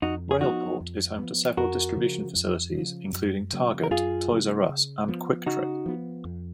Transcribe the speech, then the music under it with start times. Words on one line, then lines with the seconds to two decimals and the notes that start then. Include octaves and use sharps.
Railport is home to several distribution facilities including Target, Toys "R" Us, and QuikTrip.
0.02 F2 D#4 F#4
0.31 G#4
0.41 F3 B3 D#4 F#4
0.81 F2
1.18 F3 B3
1.57 F2 F#4 A#4
1.96 C#3 F3
2.35 F2
2.74 C#3 F3
3.13 F#2
3.53 C#3 F#3 A#3
3.84 A#4
3.91 F#2 F4 G#4
4.30 C#3 F#3 A#3
4.69 C#3
5.08 F3 B3
5.46 C#3 D#4 F#4
5.86 F3 B3
6.25 F2